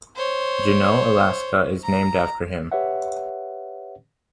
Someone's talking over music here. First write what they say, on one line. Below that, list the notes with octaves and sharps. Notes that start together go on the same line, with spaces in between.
Juneau, Alaska is named after him.
C5 C#5
A#5
G4 B4 C#5 E5 F#5